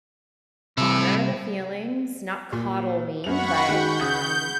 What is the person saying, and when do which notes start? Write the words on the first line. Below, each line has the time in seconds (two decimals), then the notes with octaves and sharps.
honor the feelings, not coddle me. But, um,
0.78 C3 G3 E4 A4
2.52 A#2
3.24 F#2 F#5 B5 C#6 F7
3.69 D#3 G#3 F#4 G6
4.00 C#3 D#6